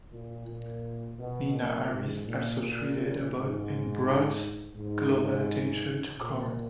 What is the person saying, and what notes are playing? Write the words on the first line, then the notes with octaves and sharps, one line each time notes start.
Meena Harris also tweeted about and brought global attention to Kaur.
A#2
A#2
B2
A#2
G#2
A#2
A#2
G#2
G#2
A#2